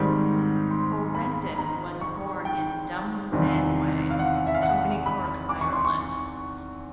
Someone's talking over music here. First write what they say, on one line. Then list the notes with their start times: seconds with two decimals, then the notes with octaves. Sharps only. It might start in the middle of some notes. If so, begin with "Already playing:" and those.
Hovenden was born in Dunmanway, Company Cork, Ireland.
Already playing: G#2 D#3 G3 C4
0.71 C6
1.15 B5
1.58 A#5
2.01 C#6
2.45 G5
3.32 E2 C3 D#3 G3 C4
4.10 F5
4.19 F#5
4.47 E5
4.55 F5
4.63 F#5
5.06 B5
5.49 D6
5.61 C#6
5.73 C6
5.85 C#6